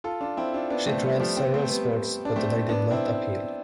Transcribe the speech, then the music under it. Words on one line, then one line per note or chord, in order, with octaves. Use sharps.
She tried several sports but they did not appeal.
F4 A4
D4 F4
C4 E4
D4 F4
B3 D4
A3 C4
G3 B3
F3 A3
C4
B3
A3 C4
G3 B3
D4
A3 C4
B3 D4
C4 E4